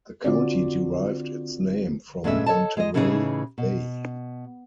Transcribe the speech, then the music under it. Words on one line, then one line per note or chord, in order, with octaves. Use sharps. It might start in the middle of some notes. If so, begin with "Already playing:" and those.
The county derived its name from Monterey Bay.
D3 C4 D4 F4 F#4 D5
G2 A#2 G#3 A3 C#4 E5
A4 C#5 D#5 A5
G#3 D#5
A2 C#3 E3 D#4 F4 G#4
B2